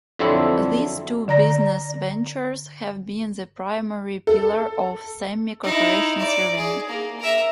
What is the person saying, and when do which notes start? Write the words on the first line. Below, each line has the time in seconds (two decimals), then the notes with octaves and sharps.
These two business ventures have been the primary pillar of Sammy Corporations revenue.
0.19 F2 D3 F#3 C4 E4 A4
1.28 D3 D5 A#5 A#6
4.27 A4
5.64 D#4 E4
6.19 D5
6.56 G#4
6.89 A#3
7.20 A#4 E5